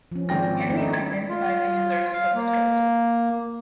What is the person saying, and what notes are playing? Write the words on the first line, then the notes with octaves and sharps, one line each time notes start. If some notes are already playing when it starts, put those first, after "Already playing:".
Can we identify the user's postcode?
F3 C#4
G#1 G5 A#6
A3 D#4 E4
F4
F5
A#3